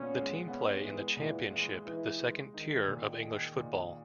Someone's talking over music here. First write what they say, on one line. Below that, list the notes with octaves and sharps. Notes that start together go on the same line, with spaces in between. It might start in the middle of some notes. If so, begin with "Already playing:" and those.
The team play in the Championship, the second tier of English football.
Already playing: A#2 B3 C#4
G#3
B3 C#4
E3 G#3
A#2 E3
E3 G#3
E3 D#4
G#3
D#3 D#4
A#2
G#4
A#2